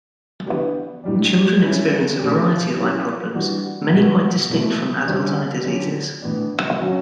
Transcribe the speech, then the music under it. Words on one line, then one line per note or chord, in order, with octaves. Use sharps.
Children experience a variety of eye problems, many quite distinct from adult eye diseases.
E3 B3 D4 G4
A2 G3 D4
G3 C#4 E4
B2 A3 C#4 G4
F#3 C#4 E4 G4
E3 G3 D4 F#4
B2 G3 B3 F#4
B2 A3 E4
D3 G3 C#4 G4
D3 F#3 C#4 G4
A2 E3 B3 D4
F#3 C#4 F#4